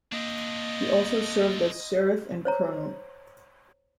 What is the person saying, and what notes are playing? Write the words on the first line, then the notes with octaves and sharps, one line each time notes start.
He also served as sheriff and coroner.
A#3 C4 D4 D#5
C5 C#5 A#5